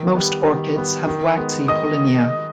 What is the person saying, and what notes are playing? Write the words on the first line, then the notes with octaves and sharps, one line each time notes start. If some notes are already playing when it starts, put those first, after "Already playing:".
Most orchids have waxy pollinia.
Already playing: D#3
G3 B3
D#3
G3 B3
D#3
G#3 B3
D#3 D#5 D#6